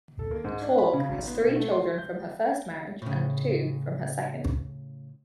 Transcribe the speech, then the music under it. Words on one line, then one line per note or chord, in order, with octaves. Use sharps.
Tork has three children from her first marriage and two from her second.
A4
A#3
G#2
D4
B5
C#3
G#1
B3
B2
A3
C6
G6
A2 C#3